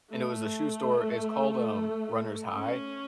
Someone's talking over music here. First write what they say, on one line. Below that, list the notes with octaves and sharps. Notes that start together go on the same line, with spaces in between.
and it was a shoe store, it's called, um, Runner's High,
A3
C#4